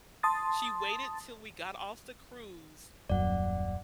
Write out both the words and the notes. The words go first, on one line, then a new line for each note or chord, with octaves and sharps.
She waited till we got off the cruise
A5 C6 D#6 A6
D#1 F#2 D5 F#5